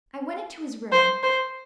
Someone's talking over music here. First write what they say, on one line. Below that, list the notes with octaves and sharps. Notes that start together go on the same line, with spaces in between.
I went into his room.
C5
C5